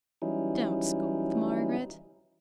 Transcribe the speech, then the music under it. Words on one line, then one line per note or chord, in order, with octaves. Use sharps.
'Don't scold, Margaret.
E3 F#3 G3 C#4 D#4 E4